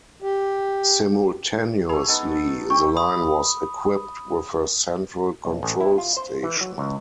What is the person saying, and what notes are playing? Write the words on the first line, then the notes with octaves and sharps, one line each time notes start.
Simultaneously, the line was equipped with a central control station.
G4
A3 G#4 B5
B3 D#4 A4
G4 G5 C#6
B5 D#6
B1
A1
E4
F4
C5
E3
F#3
C#2